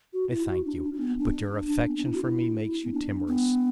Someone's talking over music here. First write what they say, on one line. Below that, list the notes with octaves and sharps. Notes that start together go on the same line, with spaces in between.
I thank you: but your affection for me makes you timorous.
F#4
E4
F#4
D4
D4
D4
B3
D4
B3
D4
E4
F#4
E4
B3
D4
B3